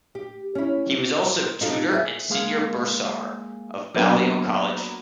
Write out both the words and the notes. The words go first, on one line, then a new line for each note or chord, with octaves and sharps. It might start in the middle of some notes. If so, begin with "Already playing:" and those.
He was also Tutor and Senior Bursar of Balliol College.
G4
C#4 E4
C5
D#4 F4 A4
G#4 E5
G#3 A#3 G#4 F5
F#3 A#3 B3 D4